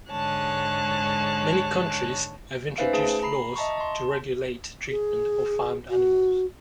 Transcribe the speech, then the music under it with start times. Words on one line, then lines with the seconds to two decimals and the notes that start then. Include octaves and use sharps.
Many countries have introduced laws to regulate treatment of farmed animals.
0.12 G#2 D3 G#3 C#5 A5 F#6
2.55 D7
2.78 C#4 D#4 B4 C5 E5 F5
2.93 A3 G#4 A5
3.23 A#5 B5 C7
3.56 D#5 E5 A5 A#5 C#6
3.77 A5 C6
4.90 G#4
5.90 F#4